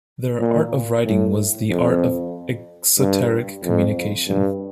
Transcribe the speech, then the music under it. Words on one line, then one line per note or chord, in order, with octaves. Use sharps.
Their "art of writing" was the art of "exoteric" communication.
A#2
A2
F2
G2
F2
G2